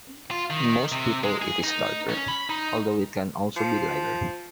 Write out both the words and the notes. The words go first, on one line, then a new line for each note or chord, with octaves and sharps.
In most people it is darker, although it can also be lighter.
F4
D#3
C3
G#3
G#4
D#4
C#4
B5
D#4
F3